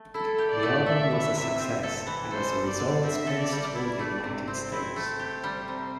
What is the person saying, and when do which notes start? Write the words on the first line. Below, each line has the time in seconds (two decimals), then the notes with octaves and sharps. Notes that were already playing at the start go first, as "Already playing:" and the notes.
The album was a success, and as a result Spence toured the United States.
Already playing: A3
0.14 E4 A4
0.38 G4
0.51 D5
0.63 A3
0.86 A4 E5
1.11 E3
1.23 E5
1.35 C3
1.59 C4
1.83 A4
2.07 E3
2.31 A4 C5
2.55 G3
2.67 D5
2.79 D3
3.03 C4 E5
3.27 A4
3.39 D5
3.52 G3
3.75 E4 D5
3.99 A3
4.24 C3
4.48 C4 C5
4.72 E4
4.96 A3
5.19 G4 C5
5.44 G3
5.68 C3